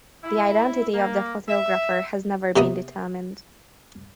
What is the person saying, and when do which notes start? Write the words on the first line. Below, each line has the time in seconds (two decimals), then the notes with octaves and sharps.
The identity of the photographer has never been determined.
0.24 E4
0.94 A#3
1.49 E5
2.56 C3 A#3 B3 D#5 D#6